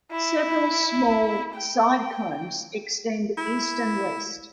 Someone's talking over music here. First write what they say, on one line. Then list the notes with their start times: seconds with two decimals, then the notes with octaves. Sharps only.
Several small side combes extend east and west.
0.12 E4
1.55 G5
3.38 E4